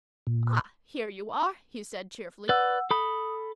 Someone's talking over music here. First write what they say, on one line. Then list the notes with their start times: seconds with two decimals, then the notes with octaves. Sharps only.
"Ah, here you are," he said cheerfully.
0.27 A#2
2.49 B4 D5 F#5 E6
2.91 A4 B5 D#6